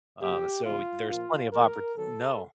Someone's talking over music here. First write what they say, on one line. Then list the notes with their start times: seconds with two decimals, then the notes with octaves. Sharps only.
Um, so there's plenty of opport No.
0.22 C#3 F#3 A#3 G4
0.65 C#3 E3 G3 B3 F4
1.09 A#2 F3 A#3 F4
1.52 A2 E3 G#3 A#4
1.96 D#3 F#3 B3 A4